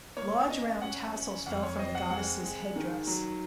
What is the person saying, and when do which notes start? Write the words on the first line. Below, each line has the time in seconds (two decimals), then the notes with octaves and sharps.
Large round tassels fell from the goddess's headdress.
0.17 A#3 C#5
0.49 C#4 D#5
0.81 C#4 F#5
1.14 C#4
1.46 F2 F#5
1.63 C#5
1.78 C4 D#5
1.95 F#5
2.10 G#3 F#5
2.43 G#3
2.76 D#3
3.07 F#3